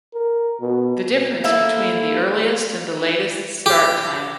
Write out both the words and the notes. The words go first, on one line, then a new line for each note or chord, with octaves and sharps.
The difference between the earliest and the latest start time.
A#4
B2
A#3 E4 A4
G4